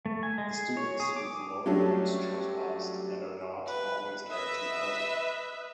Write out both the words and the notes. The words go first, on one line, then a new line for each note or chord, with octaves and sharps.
The students with the lower points choose last and are not always guaranteed housing.
A3
G#5
G#3
G#4
C#5
G#4
D6
F#3 G3 A3 C#4 D4
B4
B4 D#5 E5